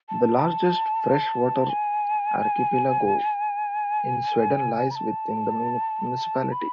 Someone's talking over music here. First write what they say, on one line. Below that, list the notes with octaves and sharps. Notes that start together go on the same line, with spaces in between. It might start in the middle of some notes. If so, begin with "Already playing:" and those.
The largest fresh water archipelago in Sweden lies within the municipality.
A5
G#5
B5
A5
B5